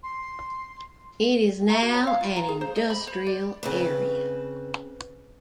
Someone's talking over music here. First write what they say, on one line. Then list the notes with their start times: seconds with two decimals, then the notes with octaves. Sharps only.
It is now an industrial area.
0.03 C6
1.70 A#5
1.82 F#4
1.94 C#5
2.07 F5
2.21 F4
2.36 A#5
2.48 G#4
2.61 C5
2.76 D#5
2.90 B5
3.07 C5
3.27 D5
3.63 C#3 C4 B4